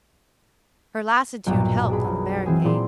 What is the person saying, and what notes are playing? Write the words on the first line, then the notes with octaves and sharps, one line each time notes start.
Her lassitude helped on the barricade.
B1 G2 A#2
D4 G#4 B5
F#2
E3 C4 G#4 D#7
A#2 E4 G#4 D5 C6